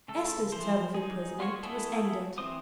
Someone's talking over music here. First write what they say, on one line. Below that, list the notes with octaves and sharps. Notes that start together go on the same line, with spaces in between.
Esther's term of imprisonment was ended.
C#3 A3 A4
E3 F3 C5
D#4 G#4
B3 F4 F#4 C#5
A3 B3 E4 G#4 A4
E3 C4 E4 C5 D#6